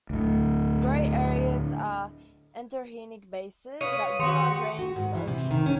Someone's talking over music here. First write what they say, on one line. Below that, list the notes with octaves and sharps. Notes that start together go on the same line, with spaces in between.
The grey areas are endorheic basins that do not drain to the ocean.
D2 A2
F4 B4 C#5 D#6
D#3 F#4 G4 C6 C#7
F#4
G#2
E3
C3
D#3
C#4